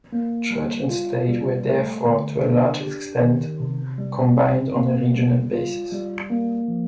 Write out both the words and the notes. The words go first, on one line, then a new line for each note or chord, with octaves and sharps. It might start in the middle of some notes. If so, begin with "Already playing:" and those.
Church and state were therefore, to a large extent, combined on a regional basis.
A#3
G3
F4
G3
A3
D3
D4
G4
D#3
C3
G3
C4
A#3
G3
F4
G3
A#3
F3